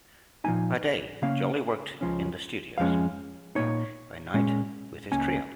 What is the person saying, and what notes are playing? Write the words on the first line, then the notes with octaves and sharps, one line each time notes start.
By day, Jolly worked in the studios; by night, with his trio.
A#2 F3 A#3 D#4 G#5
C#3 A#3 C#4 F5
C#2 C#3 F3 C#4
F2 F3 G#3 C#4 F5
A#2 A#3 D#4 C#5
A#2 G#3 C#4
C#2 C#3 A#3 C#4 G#5